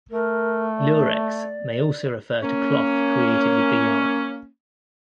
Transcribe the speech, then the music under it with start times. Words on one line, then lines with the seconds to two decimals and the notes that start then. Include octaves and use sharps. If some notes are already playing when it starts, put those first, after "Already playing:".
"Lurex" may also refer to cloth created with the yarn.
0.11 A3 A#4
0.77 D5
2.43 A#3 C#4